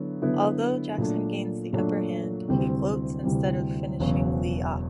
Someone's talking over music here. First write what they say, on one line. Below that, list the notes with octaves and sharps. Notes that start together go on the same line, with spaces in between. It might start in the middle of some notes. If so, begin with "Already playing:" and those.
Although Jackson gains the upper hand, he gloats instead of finishing Li off.
Already playing: D3 F#3 B3 E4
D3 F#3 B3 E4
A#2 F#3 A3 D4
A#2 F#3 A3 D4
D2 C3 E3 G3 C4
D2 C3 E3 G3 C4
E1 E2 C#3 F#3